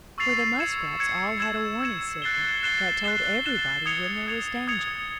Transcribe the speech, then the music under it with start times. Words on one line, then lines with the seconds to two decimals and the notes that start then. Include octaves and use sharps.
For the Muskrats all had a warning signal that told everybody when there was danger.
0.18 C#6 E6 A6 C7 F7
0.59 E6 G#6 C#7 E7
0.99 E6 G#6 C#7 E7
1.40 E6 G#6 C#7 E7
1.81 E6 G#6 C#7 E7
2.22 F#6 A6 C7 E7 G7
2.63 F#6 A6 C7 E7 G7
3.04 F#6 A6 C7 E7 G7
3.44 F#6 A6 C7 E7 G7
3.86 D#6 G#6 C#7 F7
4.27 D#6 G#6 C#7 F7
4.67 D#6 G#6 C#7 F7